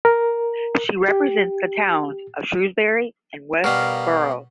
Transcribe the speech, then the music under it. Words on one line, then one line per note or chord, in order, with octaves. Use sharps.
She represents the towns of Shrewsbury and Westborough.
A#4
G4
B2 G3 A#4 F5